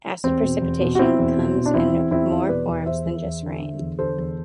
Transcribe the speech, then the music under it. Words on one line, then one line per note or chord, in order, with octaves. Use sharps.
Acid precipitation comes in more forms than just rain.
E2 C4
B2
E2
B2
F#4
B2 C4 E4
E2
B2
B2
D4
E2 C4 E4
E2
E2 C4 E4
E2
B2 B4 D5
E2
E2 C5 E5
E2
E2
D3
D3
E2
D3 A4 C5
E2